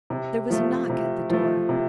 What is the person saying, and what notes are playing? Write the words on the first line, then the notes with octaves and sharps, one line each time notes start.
There was a knock at the door.
C3
F3 A3
C3
F3 A3
C3